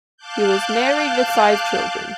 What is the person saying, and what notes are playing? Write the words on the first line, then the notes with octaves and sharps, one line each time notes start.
He was married with five children.
F5 A5 D6 F#6 G6